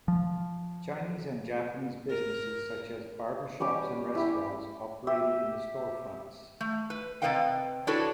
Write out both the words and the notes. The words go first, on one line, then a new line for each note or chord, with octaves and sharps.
Chinese and Japanese businesses such as barbershops and restaurants operated in the storefronts.
F3
A#4
G3 C#4 G4 D6
E4 G4
G4 E5
A3
B4
C3 G3 B4 D#5 F5 G5
D4 E4 F#4 A4 B4 C#5